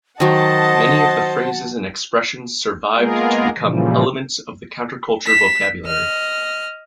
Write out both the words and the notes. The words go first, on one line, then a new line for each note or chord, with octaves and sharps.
Many of the phrases and expressions survived to become elements of the counterculture vocabulary.
D#3 F#3 C5 D#5 F#5 A5
G#3 A#3 B3 F4 G#4 A#4
A#2 C#3 E3 F3 G3
B6 E7
D#5 F6